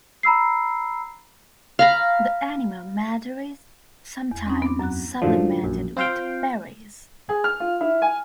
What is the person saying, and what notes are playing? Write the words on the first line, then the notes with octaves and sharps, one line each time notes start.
The animal matter is sometimes supplemented with berries.
A#5 B5 E6 C7
F5 A#5 B5
E2
C4 C#4 D#4
B3 D6
F#2 F#3 A#5 F#6
F#2 A2 D3 F3
A#1 F#2
C4 F4 C5 F5 G5
G#4
F6
F4
E4
G#5